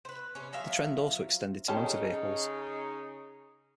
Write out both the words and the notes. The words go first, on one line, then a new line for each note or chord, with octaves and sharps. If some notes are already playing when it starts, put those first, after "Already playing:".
The trend also extended to motor vehicles.
B4 C5
C3 C#4
F3 F#3 E5 F5
C#3 C#4 D#4 G4 A4